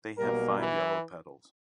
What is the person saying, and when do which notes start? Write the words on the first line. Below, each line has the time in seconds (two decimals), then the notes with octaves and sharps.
They have five yellow petals.
0.18 B1 B2 G3 A#3 A#4
0.59 E3 E4